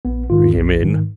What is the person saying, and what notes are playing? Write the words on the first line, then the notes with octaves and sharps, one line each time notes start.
"Bring him in."
A#1 B3
G#2 D#3 F4
A#1
G#2 D#3